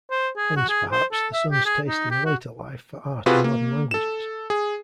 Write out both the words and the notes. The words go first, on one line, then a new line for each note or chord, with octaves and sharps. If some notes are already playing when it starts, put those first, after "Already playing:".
Hence, perhaps, the son's taste in later life for art and modern languages.
C5
G#4
F#4
G#4
C5
A4
E5
G4
G#4
D#4
G4
F#4
C3 F4 F#4 G#4 B4
A#3
A4 E7
G#4